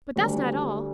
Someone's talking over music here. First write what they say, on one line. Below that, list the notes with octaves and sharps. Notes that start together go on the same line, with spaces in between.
But that's not all.
D2 D3 G3